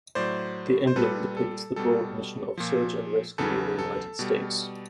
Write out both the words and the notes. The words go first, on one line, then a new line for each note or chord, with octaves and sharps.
The emblem depicts the broad mission of search and rescue in the United States.
A2 F#3 C5 D5
C5
A#2 G3 A4 B4
A4
B2 G3 A4
A#2 F3
E2 C#3 F#3 A4 B4
A4
B2 G3